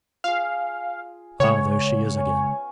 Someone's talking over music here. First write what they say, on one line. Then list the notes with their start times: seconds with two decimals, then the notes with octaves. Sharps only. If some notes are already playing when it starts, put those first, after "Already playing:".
Ah, there she is again.'
0.24 F4 G#4 F5
1.40 C#3 G#3 B3 C#4 C#5
2.16 F5 G#5 C#6